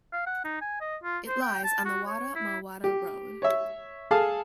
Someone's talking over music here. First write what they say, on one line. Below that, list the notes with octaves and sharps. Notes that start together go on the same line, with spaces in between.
It lies on the Wada-Malwada Road.
F5
F#5
D#4
G#5
D#5
F4
C5
G5
A5
F#4
C#5
E4
G4
C#5 E5
G#4 A4 F5 A5